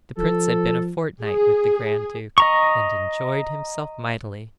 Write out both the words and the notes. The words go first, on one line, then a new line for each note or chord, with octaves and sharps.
The prince had been a fortnight with the grand duke, and enjoyed himself mightily.
F3 A4
G#4
D#5 A#5 C#6